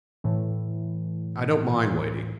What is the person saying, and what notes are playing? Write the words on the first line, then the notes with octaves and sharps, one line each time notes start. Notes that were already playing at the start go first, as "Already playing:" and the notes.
I don't mind waiting.
A2 E3